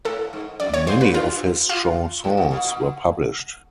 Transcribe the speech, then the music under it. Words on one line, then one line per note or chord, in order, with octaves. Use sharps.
Many of his chansons were published.
A2 A4
G#2
F#2 D5
C#5
G2 C5
B4
F4
F4
A2
A#2
B2
B2